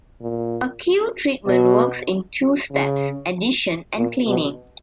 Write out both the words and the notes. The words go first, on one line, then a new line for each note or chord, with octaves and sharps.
A Q-treatment works in two steps, addition and cleaning.
A#2
B2
C#3
A#2
B2